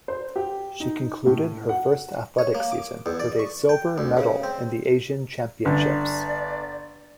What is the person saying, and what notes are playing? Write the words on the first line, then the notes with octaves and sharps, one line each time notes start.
She concluded her first athletics season with a silver medal in the Asian championships.
C5
G4
D#4
A2
F#5
C#5
A#3
D6
E2
D5
C#6
G5
D2
C#3
C4
G1 D5